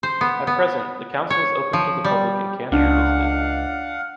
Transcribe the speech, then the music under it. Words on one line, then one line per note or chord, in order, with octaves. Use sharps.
At present, the Council is open to the public and can be visited.
C5
B3
B3
C#5
F3
G3
C#2 D4 F5 F#5